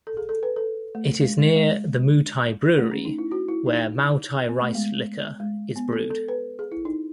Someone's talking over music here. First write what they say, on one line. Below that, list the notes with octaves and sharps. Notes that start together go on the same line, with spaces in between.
It is near the Moutai brewery, where Maotai rice liquor is brewed.
A4
G#4
A4
B4
A4
A3
G#3
G#3
G#3
A3
C#4
D#4
E4
F#4
E4
D#4
B3
A3
G#3
G#3
B3
A4
A4
B4
G#4
E4
D#4